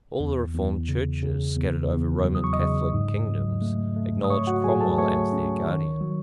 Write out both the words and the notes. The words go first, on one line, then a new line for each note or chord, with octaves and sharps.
All the reformed Churches scattered over Roman Catholic kingdoms acknowledged Cromwell as their guardian.
E2
E2
C#3
C#3
E2
E2
F#3
D#6
C#6
D#5 D#6
C#3
G#2
F#3
A3
A3
D#6
A3 C#5 C#6
F#4 F#5
F#3 G#4 G#5
A4 A5
A3 C#5 C#6
C#4
D#3
F#3